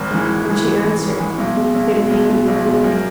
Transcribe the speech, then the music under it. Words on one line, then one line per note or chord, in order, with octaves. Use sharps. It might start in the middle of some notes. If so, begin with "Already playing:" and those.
And she answered, "It may be that I will."
Already playing: G#1
G#2 E3
G#1
G#2 E3
G#1
G#2 E3
G#1
G#2 E3
B1
B2 G#3
B1
B2 G#3
B1
B2 G#3
B1
B2 G#3
F#2